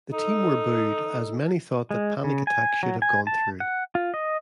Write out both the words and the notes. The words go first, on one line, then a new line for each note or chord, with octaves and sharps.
The team were booed, as many thought that Panic Attack should have gone through.
D#4 A4
G#3
C#3
G#5
F#3
G#5
A5
F#5
F4
D#5